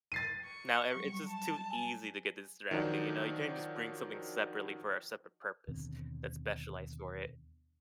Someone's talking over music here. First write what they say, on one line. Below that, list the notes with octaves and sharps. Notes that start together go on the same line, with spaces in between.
Now every it's just too easy to get distracting, you know? You can't just bring something separately for a separate purpose that's specialized for it.
A6 C7 D#7
C#6
F#3 G3
A5
G#5
D#3 F3 F#3 D4 D#4
D#2 B2 D3 C4